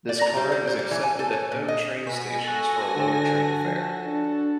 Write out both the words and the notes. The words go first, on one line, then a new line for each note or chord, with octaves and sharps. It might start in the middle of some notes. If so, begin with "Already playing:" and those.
This card is accepted at O-Train stations for a lower train fare.
D5
A#5
G3
G3
C5
G3
E3
G#5
A4
C#5
A#2
D#5
B2 G#5 A#6 B6
F#4 A4
D3
F3
D4